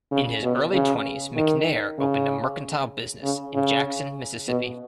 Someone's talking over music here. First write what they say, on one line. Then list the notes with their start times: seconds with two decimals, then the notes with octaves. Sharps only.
In his early twenties McNair opened a mercantile business in Jackson, Mississippi.
0.11 C#3
0.43 B2
0.73 C#3
1.36 D#3
1.99 C#3
3.23 C#3
3.55 C#3
4.48 B2